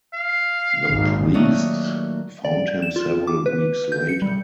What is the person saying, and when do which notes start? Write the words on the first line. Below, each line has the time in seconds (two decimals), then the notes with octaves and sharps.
The priests found him several weeks later.
0.14 F5
0.90 G#1 A#2
1.33 A#2 D#3 F#3 A3 A#3 D#6
2.45 D5
2.82 E7
2.96 F4
3.27 D6
3.46 B4
3.92 G6
4.09 C#7
4.22 G3